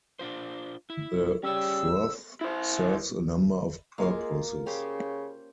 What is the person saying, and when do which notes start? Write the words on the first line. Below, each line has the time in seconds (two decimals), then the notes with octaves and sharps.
The froth serves a number of purposes.
0.19 D4 F4 C5
0.90 E4
1.43 G3 C#4 G#4 C#5 E6
2.41 E4 C5
3.98 G#3 A#3 F4
4.66 C#3 C#4 G4 C5